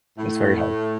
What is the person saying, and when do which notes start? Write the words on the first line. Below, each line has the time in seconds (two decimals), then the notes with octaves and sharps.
It's very hard.
0.17 A2 A3